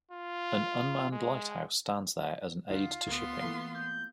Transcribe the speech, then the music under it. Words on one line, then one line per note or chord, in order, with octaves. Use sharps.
An unmanned lighthouse stands there as an aid to shipping.
F4
G#3
D2 D#4 F4 F#4
D2 B3 C6
E3 A3 A#3
G6